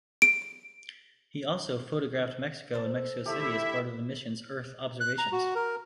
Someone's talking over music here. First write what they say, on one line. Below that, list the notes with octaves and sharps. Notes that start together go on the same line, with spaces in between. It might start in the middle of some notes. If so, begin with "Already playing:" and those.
He also photographed Mexico and Mexico City as part of the mission's Earth observations.
D7
A4 C5
D3 E3 A3 E4 G4 E5
F#6
A#5
F#4
A#4